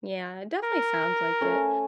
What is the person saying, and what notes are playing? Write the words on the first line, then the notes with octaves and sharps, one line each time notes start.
Yeah, it definitely sounds like it,
A#4
A3 C#4